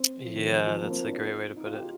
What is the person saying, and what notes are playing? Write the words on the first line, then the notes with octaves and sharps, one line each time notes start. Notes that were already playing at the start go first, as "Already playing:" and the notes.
Yeah, that's a great way to put it.
Already playing: C4
F3
D#3
F3
F3
A#3
C4
D4
D#4
F4
G4
F4